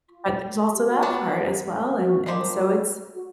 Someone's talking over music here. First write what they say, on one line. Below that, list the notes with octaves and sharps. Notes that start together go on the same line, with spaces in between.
but there's also that part as well, and and so it's
F4
G4
F#4
F#3 B3 D4 F4
F#4
F#4
G4
F#4
A#3 D4 G4 C5 D#5
F4
F#4
F#4